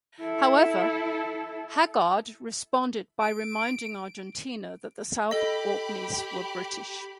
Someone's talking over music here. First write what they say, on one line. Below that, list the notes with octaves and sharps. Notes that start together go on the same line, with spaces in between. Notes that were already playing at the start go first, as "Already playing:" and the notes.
However, Haggard responded by reminding Argentina that the South Orkneys were British.
E4 A4
D7
G4 A4 D#5 B5